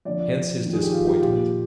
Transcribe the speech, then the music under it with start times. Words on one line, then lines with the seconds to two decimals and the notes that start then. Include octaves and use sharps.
Hence his disappointment.
0.05 F2 D3 F3 D5
0.64 F2 D#3
0.73 G#4
0.83 G4
0.93 F4
1.07 G4
1.15 F4
1.22 A#2 F3 G4